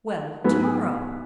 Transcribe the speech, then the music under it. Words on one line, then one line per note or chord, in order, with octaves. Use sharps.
"Well, to-morrow."
G#2 F#3 B3